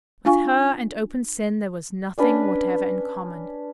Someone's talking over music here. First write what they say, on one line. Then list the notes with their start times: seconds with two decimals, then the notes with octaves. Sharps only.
With her and open sin there was nothing whatever in common.
0.25 D4 F4 F5 G#5 C#6
2.18 C#4 D4 B4